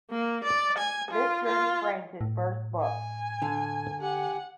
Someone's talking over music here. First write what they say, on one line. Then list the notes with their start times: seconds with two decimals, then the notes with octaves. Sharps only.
This journey framed his first book.
0.10 A#3
0.44 D5
0.78 G#5
1.11 F4
1.45 F4
2.21 A2
2.82 G#5
3.42 D3
4.01 G4 F#5 G#5